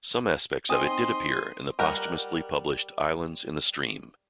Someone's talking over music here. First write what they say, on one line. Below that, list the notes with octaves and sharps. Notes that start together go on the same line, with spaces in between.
Some aspects of it did appear in the posthumously published "Islands in the Stream".
C4 D#4 D#5 G5 G#5 C6 D#6
G3 A#4 F#5